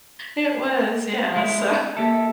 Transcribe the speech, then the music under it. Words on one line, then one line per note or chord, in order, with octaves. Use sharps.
it was, yeah, so,
G#3 E4
A#3 G4 A4 E5